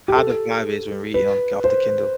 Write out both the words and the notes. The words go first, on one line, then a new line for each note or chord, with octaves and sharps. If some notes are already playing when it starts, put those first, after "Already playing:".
how the vibe is when reading on off the Kindle?
G4
A4
B4
C5